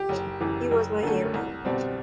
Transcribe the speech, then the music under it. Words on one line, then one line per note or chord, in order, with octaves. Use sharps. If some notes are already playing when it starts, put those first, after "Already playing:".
He was my hero.
Already playing: G4
F#1
F#2 E3
F#1
F#2 D3 A3
C2
B2 G3 C4